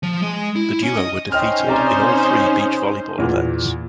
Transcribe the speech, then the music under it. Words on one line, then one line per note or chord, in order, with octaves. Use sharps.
The duo were defeated in all three beach volleyball events.
F3
G#3
E4
C#4
D#5
C#4 D#4 C5 D#5 G5 F6
C3 D5 A#5
E2 A#2